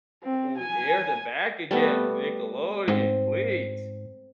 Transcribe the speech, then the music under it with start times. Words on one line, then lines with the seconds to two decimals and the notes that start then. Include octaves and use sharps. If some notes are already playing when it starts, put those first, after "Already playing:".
we air them back again, Nickelodeon, please?
0.23 C4
0.57 G#5
1.71 G3 A3 B3
2.88 G#2 C4